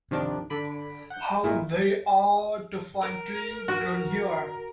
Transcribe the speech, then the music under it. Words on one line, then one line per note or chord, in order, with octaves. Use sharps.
How very odd to find trees growing here!
C3 D#3 F3 D4 G4
D3 B5 D7
F#5 G6
G#1 A#2 D#3 E4
A#4
F#4